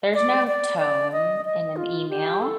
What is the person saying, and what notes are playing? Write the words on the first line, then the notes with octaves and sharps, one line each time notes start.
there's no tone in an email,
D5
D5
D5
D#5
D#5
F4
G4
A4